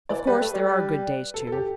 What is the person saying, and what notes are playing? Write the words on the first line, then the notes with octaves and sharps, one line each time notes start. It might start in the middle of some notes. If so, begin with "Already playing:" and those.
Of course there are good days, too.
E3 D5
G3 B4
A3
G3
G3
A4
A4
G4